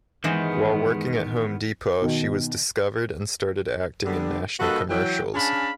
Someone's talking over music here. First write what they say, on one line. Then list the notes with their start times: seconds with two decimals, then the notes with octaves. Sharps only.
While working at Home Depot, she was discovered and started acting in national commercials.
0.24 G2 D#3 E3 G#3 B3 C5 D#5
2.02 B2 D#3
4.04 D3 G3 B3
4.60 G2 A#3 F#4 A4 B4 D#5
4.89 E3 F#3 G5
5.34 C#4 D4 G#4 F5 A5 B5